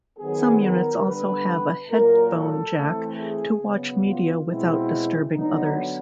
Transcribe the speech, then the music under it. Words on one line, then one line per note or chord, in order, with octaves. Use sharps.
Some units also have a headphone jack to watch media without disturbing others.
D#3 F#3 B3 G#4
A#4
D3 G3 B3 B4
A#2 F#3 A#3 A#4
A4
E3 A3 C4
G#4
C#3 F#3 B3
F4
B2 G#3 C4 E4
D3 F#3 B3 D#4